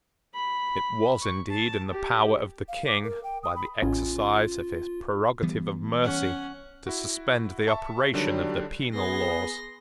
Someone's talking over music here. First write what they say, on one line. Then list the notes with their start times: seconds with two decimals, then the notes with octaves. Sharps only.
It was indeed in the power of the King, by the exercise of his prerogative of mercy, to suspend the operation of the penal laws.
0.34 B5
1.21 C#6
1.50 A5
1.91 G4
2.68 F5
2.87 D6
3.04 A#4
3.24 G5
3.43 D#6
3.56 B5
3.82 A1 C#4 F4
5.43 E3 G3 B3
6.04 C#4 F#5
6.87 E4 F#4
7.67 E5 A5 C#6
8.14 D3 D#3 F#3 G3 D4
8.93 B3 G#4 C6 A#6